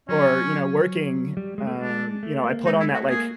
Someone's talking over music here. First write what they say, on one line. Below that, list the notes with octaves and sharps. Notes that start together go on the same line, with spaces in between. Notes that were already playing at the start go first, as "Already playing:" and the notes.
or, you know, working, um, you know, I put on that, like,
F#3 C#4
F#3
G3
G#3
A3
G#3
D4
A3
A#3
G#3 D#4
E4
A3
F#4
A#3 G#4